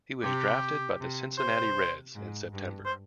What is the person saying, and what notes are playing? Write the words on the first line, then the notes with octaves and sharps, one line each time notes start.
He was drafted by the Cincinnati Reds in September.
C3 G4
C3
C3 C5
G#2
G2
C5